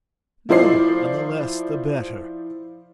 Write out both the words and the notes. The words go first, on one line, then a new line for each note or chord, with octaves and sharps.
No; and the less the better.
F3 E4 F4 C5 D5 C7